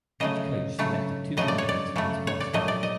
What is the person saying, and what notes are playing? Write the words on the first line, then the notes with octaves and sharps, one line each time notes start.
Each coach selected two candidates from his past teams.
C#3 F#3 A3 D#5
C#3 F#3 A3
C#3 F#3 A3 D#5
D5
C#5
D5
C#3 F#3 A3
C#5
D5
A#2 F#3 A3 D#5
D5
D#5